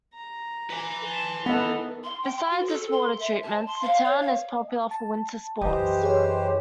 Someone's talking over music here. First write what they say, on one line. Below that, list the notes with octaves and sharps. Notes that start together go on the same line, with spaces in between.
Beside its water treatments, the town is popular for winter sports.
A#5
B4 G#5
A5 C6
B3 D#4 E4 A4 D#5
C6
G5
C6
F#4
A4
C6
E5
A5
C6
F5
C#5
F5
A5
F#2 E3 G4 C5 D#5
G#4 C#5